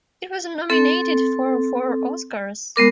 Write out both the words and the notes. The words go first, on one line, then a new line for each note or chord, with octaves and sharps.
It was nominated for four Oscars.
C4 A4
G#3 B3 A#4 D6